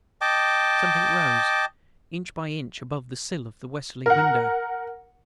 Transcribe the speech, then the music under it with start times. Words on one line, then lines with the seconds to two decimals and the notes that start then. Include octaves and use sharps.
Something rose, inch by inch, above the sill of the westerly window.
0.21 D#5 G5 A5 D6
4.06 A#4 F#5